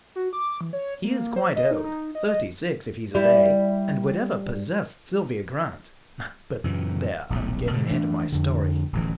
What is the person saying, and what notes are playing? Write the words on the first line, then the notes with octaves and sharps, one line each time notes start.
He is quite old--thirty-six if he's a day, and whatever possessed Sylvia Grant--but there, I'm getting ahead of my story.
F#4
D6
E3
C#5
A#3
C5
D#5
D#4
D#4
D#5
G3 E4
F#2 A#2 C#3 E3
D#1 B1 A2
B2 D3
E3 A3 D4
F2 D3
D1 A1 E3